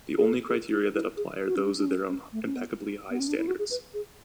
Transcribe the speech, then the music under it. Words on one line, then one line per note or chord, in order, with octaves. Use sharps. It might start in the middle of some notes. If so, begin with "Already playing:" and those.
The only criteria that apply are those of their own impeccably high standards.
G#4
A4
G#4
E4
E4
G#4
F#4
C#4
D4
D4
C#4
C#4
A3
C#4
B3
B3
C#4
D4
E4
F#4
G#4
B4
G#4